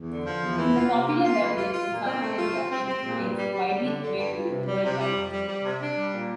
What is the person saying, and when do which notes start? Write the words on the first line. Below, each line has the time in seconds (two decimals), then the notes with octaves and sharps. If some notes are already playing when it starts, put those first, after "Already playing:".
It is a popular beverage in South Korea, and it remains widely available worldwide.
Already playing: E2
0.09 D3
0.26 F3
0.42 E2
0.58 E3
0.75 F4
0.90 C3
1.07 A#3
1.23 F4
1.39 E3
1.56 F4
1.73 F4
1.89 A#2
2.05 C4
2.22 A3
2.38 F4
2.54 C4
2.70 C4
2.86 C4
3.03 A#2
3.19 G2
3.36 G3
3.52 G3
3.68 G3
3.85 D3
4.01 D3
4.17 G2
4.33 G2
4.50 C3
4.66 G3
4.82 C3
4.99 G3
5.15 F2
5.32 G3
5.48 G3
5.64 C3
5.81 D4
5.97 G3
6.13 A#2